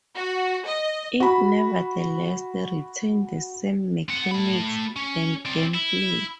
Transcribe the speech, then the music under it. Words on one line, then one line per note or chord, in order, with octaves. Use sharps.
It nevertheless retained the same mechanics and gameplay.
F#4
D#5
F#4 B5
C4 F#5
A3 B5
C#4
C4 D5
E4